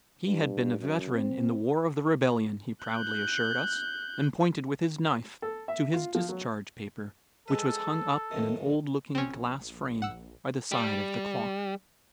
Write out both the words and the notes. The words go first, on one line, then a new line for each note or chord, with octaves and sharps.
He had been a veteran in the War of the Rebellion, he proudly assured us, and pointed with his knife to his discharge-paper, which was hung up in an old looking-glass frame by the side of the clock.
G2
F#2
C4
F#6 G6
A4
E5
F4
F3
F#3
G#3 A4 B4
F2 A2 D#3
A#1 C4 C#4
F#5 E6
G3